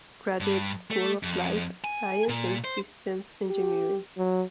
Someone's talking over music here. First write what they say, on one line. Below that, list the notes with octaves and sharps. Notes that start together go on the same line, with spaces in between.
Graduate School of Life Science and Systems Engineering.
G2
A3
F2
G#5
A#2
C5
G4
F#3